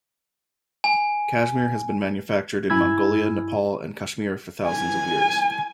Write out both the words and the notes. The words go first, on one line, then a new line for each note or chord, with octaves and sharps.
Cashmere has been manufactured in Mongolia, Nepal and Kashmir for thousands of years.
G#5
G2 E4 G#5 B5 E6 G#6
G#5